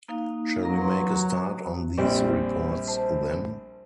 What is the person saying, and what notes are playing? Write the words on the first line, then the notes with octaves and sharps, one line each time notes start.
Shall we make a start on these reports then?
A#3 D#4 F5
F#3 A#4 A#5
B4 A#5 C6
F#4 C#5
A#1 G3 C4 D5
C5 A5